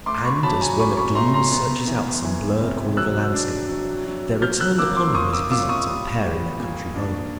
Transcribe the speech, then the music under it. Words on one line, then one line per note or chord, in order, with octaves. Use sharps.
And as when a gleam searches out some blurred corner of a landscape, there returned upon him his visit to the pair in their country home.
A3 C6 D6
B5 C#6
F#3 A5 B5
G#5 A#5
C#4 B5 C#6
B5 C#6
A3 A#5 C6
A#5 C6
B3
E3
E3
C3
F#3 E6 F#6
D4
F#3
F#3
F3 F6 G6
E6 F#6
A#3 D6 E6
C6 D6
A#3 C#6 D#6
D6 E6
F4 D6 E6
C#6 D#6
G3
G3
A#2
D4